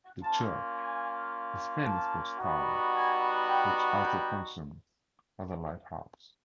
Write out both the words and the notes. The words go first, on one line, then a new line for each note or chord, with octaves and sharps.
The church is famous for its tower which also functions as a lighthouse.
A#3 C#4 F4 A5
G#5
A5
G3 B3 D#4 F#4
G#5
G5
G5